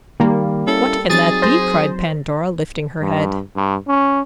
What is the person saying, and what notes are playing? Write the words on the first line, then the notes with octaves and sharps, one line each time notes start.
"What can that be?" cried Pandora, lifting her head.
D#3 G3 A#3
C#4 E4 A4
F#3 C4 D#4 G#4 A6
C5 A6 A#6
G2
G2
C#4